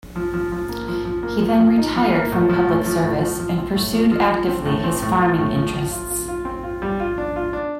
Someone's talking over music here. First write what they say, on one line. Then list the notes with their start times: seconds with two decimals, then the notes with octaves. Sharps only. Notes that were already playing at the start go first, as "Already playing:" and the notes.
He then retired from public service, and pursued actively his farming interests.
0.16 F3
0.34 F3
0.52 F3
0.69 A#3
0.88 F3
1.05 F3
1.23 A#3
1.41 F3
1.59 F3
1.78 D#4
1.96 F3
2.14 A#3
2.32 A2
2.49 F3
2.68 A2
2.86 F3
3.04 A2
3.22 F3
3.40 F3
3.58 C4
3.75 A2
3.93 F3
4.12 F3
4.30 F3
4.48 C4
4.66 A2
4.84 C4
5.02 A2
5.20 F4
5.38 A2
5.56 F3
5.74 F3
5.92 F4
6.10 F4
6.28 F4
6.45 C4
6.63 F4
6.82 G3
7.00 F4
7.18 D4
7.36 F4
7.53 D4